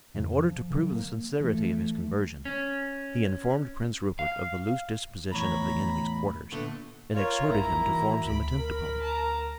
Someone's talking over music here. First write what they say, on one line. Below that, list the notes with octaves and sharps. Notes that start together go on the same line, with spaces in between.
In order to prove the sincerity of his conversion, he informed Prince Rupert of the loose disposition of the enemy's quarters, and exhorted him to form some attempt upon them.
F2 C#3
F3
C#3 F#3
A#3
E3 F3 A3
C#4
F5
E2 A2 C#5 A#5 B5
A#2 D3 A3 B3
F4 A#4 C#5
A1 G2 A#3 E4 A#5
D#3 E3 F#4
D2 B5 D7
A#4
A5 A#5